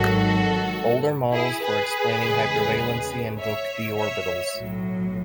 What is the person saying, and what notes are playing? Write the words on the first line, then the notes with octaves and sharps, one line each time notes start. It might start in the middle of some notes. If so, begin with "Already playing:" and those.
Older models for explaining hypervalency invoked "d" orbitals.
Already playing: G#1 G#2 D#3 F#3 F#4 A4
E4 G#4
G#4 B4
E2 C#3 G#3
C#5 E5
C#5 E5
B1 A2 F#3